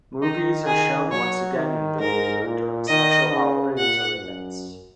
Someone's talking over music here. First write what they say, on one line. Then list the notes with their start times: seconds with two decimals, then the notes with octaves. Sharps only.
Movies are shown once again in the theatre during special holidays or events.
0.22 D#3 D#4
0.67 G#4
1.11 F#3 C#5
1.56 D#3
1.99 G#2 A#4
2.45 A#2
2.88 D#3 D#5
3.33 C#3
3.77 A#2 F#5
4.21 F#2